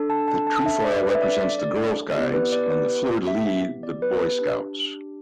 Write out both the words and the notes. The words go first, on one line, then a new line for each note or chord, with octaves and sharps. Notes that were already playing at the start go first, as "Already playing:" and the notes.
The trefoil represents the Girl Guides and the fleur-de-lis the Boy Scouts.
Already playing: D4 A4
A5
A5
A5
E5
D5
B4
E5
D5
D5
D5
B3 E4 G4 D5
B4
D5
B4
E5
D5
B4
B4
D4 G4